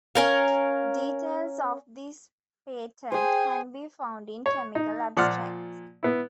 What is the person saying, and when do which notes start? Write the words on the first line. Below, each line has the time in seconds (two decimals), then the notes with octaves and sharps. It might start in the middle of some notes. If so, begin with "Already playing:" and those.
Details of this patent can be found in "Chemical Abstracts".
0.15 C#4 A#4 F5
3.12 G#4 C5 G5
4.46 C#5
4.75 D#4
5.17 A#2 F3 D5 F#5 C6 F6
6.03 B3 E4